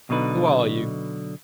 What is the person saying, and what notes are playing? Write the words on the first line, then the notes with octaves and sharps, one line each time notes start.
"Who are you?"
B1 B2 D3 D#4 B4